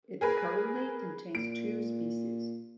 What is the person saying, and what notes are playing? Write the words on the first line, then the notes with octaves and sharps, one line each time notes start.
It currently contains two species.
G#4 A#4 B4
A#2 D7